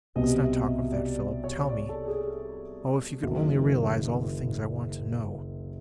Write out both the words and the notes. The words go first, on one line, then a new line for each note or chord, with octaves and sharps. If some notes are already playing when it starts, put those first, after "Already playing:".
Let's not talk of that. Philip, tell me--oh, if you could only realize all the things I want to know.
C2 B2 G3 C4 D#5
E5
D#5
D5
C#5
D5
A4
G#4
F#1 F#2 D#3